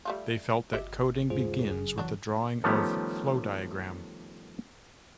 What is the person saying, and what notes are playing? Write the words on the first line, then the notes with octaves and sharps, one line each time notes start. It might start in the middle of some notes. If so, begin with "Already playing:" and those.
They felt that coding begins with the drawing of flow diagram.
G3 A3 F4
G1 G4 D#5 E5
D#2 G#2 C#3 F4 G#4 C5
F#1 F#2 G#4
E3 F#3 D4
D#3 F3 G3 A3 B3 C#4